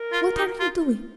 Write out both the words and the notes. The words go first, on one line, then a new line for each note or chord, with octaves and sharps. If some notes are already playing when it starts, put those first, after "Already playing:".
"What are you doing?"
Already playing: A#4
F4
D#4
F4